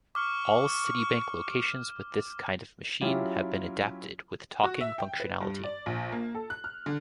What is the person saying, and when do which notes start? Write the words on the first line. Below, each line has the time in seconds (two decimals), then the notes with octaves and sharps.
All Citibank locations with this kind of machine have been adapted with talking functionality.
0.15 C#6 D6 F6
3.01 F#3 C#4 E4 F4 G4
4.64 F#4
4.81 E5
4.98 G5
5.20 B4
5.41 G2
5.63 D5
5.86 A#1
6.12 A#3
6.35 A4
6.50 F#6
6.64 F6
6.86 D3